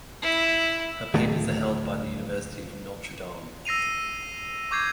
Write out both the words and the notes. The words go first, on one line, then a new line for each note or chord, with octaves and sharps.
Her papers are held by the University of Notre Dame.
E4
D1 D#3 A3
E6 A#6 C7 D#7 F7
C#6 D6 G6 G#6 C7